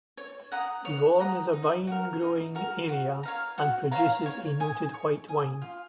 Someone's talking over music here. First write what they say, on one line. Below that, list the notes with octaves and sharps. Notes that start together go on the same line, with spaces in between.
Yvorne is a vine-growing area and produces a noted white wine.
C#5
F#5 A#5 D#6
C#5
F#5 A#5 D#6
D#4
F#4 A#4
D#4
F#4 A#4
F#4
C#5 F5 A#5
F#4
C#5 F5 A#5
C#5
G#5 D#6
C#5
G#5 D#6
F4